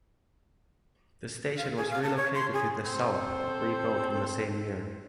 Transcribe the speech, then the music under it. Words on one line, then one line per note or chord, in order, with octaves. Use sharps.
The station was relocated to the south and rebuilt in the same year.
F5
G#4
F5
A5
C#5
C6
G#4
C4 A4 C5